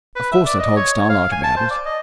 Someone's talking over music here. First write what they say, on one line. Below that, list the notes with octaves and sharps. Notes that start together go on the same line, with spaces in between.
Of course I told Starlight about it.
B4
E5
D5
D#5
C#5
C#5
F5
G#5
A5
C5
D5
D#5